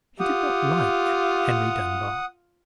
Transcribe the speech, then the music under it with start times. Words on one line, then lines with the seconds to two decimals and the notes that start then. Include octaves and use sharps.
He did not like Henry Dunbar.
0.20 F4 G4 F#5 D#6